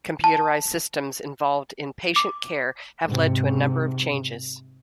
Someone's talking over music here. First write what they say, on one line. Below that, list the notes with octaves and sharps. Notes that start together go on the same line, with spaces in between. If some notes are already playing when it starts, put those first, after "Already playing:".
Computerized systems involved in patient care have led to a number of changes.
A5
D6
G#2 C3